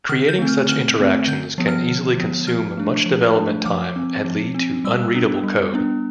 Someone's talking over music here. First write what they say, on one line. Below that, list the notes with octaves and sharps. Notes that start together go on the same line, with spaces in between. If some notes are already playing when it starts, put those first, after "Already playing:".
Creating such interactions can easily consume much development time and lead to unreadable code.
D3 F6
G6
A3 C4
F6
D3 F6
A3 C4
D3 G6
F3 B3
F6
D3
F3 B3
F3 F6
A3 D4
F3
A3 D4
F3 D6
C4
F3
C4
G3 E6
B3 D4
G3
B3 D4